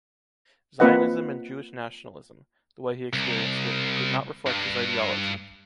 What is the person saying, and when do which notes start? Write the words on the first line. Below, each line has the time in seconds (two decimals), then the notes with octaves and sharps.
Zionism and Jewish nationalism, the way he experienced it, did not reflect his ideology.
0.80 A#3 C4 F4 B4 D#5 F#5
3.13 C2
4.46 G2